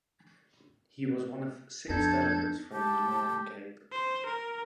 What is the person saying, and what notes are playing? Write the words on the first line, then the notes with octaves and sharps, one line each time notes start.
He was one of six delegates from the Northern Cape.
F2 B3 D4 D#4 A4 G6 G#6
G4 A5
C5
A#4